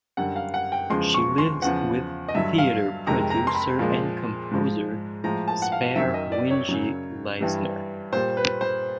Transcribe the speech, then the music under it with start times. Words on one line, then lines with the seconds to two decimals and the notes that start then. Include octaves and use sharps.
She lives with theatre producer and composer Jesper Winge Leisner.
0.17 F#2 D3 G3 F#5
0.36 F5
0.54 F#5
0.72 G5
0.90 E2 C#3 F3 G#3 C6
1.14 C#6
1.38 C6
1.62 E2 C#3 F3 F#5
2.28 D#5
2.34 G2 D3 F#3 E5
2.58 F5
3.07 F2 C3 D#3 G#3 A#5
3.30 A#5
3.47 C6
3.55 B5
3.79 A#2 F3 G#3
4.51 G#2 F3 G#3
5.23 A2 F3 G#3 A#5
5.48 A5
5.62 F#5
5.72 F5
5.96 F#2 D#3 F#3 E5
6.14 D#5
6.32 D5
6.50 C#5
6.69 F#2 C#3 F#3
7.41 G2 E3 G3
8.12 A#2 G3 C5
8.37 B4
8.61 C5